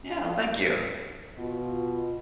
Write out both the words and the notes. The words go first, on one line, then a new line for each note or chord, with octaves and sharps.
Yeah, well, thank you.
B2 F4